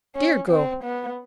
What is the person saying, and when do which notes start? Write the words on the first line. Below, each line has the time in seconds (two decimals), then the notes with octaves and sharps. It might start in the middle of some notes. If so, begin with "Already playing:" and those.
Dear girl!
0.16 C#4
0.49 C4
0.84 B3